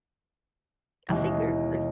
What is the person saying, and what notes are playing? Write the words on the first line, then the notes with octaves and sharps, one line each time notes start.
I think there those
D#2 B2 D#3 E3 G#3 C#4